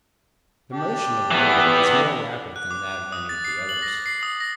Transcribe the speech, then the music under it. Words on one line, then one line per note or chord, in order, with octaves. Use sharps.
The motion of Beta is more rapid than that of any of the others.
D4 G4
E3 B3
F#6
D6
D#6
A6
C7
F#7
A#6
C7
D#6
A#6